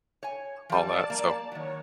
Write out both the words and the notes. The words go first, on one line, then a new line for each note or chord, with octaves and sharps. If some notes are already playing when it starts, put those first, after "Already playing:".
all that, so
C#5 G#5
F3 G3 D5 A5
A#3
D#3 F#3 C#5